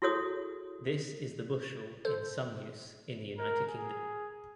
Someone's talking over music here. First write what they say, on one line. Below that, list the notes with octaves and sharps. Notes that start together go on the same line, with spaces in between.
This is the bushel in some use in the United Kingdom.
E4 F#4 G#4 A4 C#5 D#6
A4 C5
A#4
G#4